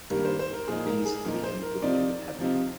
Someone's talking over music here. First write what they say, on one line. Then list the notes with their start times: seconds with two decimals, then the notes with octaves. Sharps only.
These can be input with tab key.
0.10 G2 D#3 G3 A#3 A#4
0.25 C5
0.39 C5
0.53 A#4
0.68 A#2 F3 A#3 D#4 G#4
0.86 A#4
1.05 G#4
1.24 A#2 F3 A#3 D#4 A#4
1.44 C5
1.62 A#4
1.82 C3 F3 C4 D#4 D5
2.39 C3 F3 C4 D#4